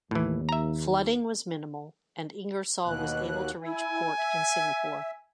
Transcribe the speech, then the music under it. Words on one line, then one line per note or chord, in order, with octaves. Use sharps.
Flooding was minimal and "Ingersoll" was able to reach port in Singapore.
D#2 A2 E3
E5 A#5
D#2 B2 F#6
E4 G#5
E5